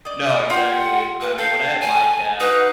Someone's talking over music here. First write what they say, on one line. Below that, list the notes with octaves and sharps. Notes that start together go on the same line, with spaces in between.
No, exactly. I mean, when I had my cat,
D5 D#5
F4 G4 F#5
B4
A4 F5 G5
G#5
D#4 F#4 B4 F5